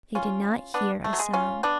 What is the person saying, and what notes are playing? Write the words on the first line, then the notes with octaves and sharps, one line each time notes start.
They did not hear a sound.
C#4 F4
B3 D4
A3
F#3
G#3
C#4 F4
B3 D4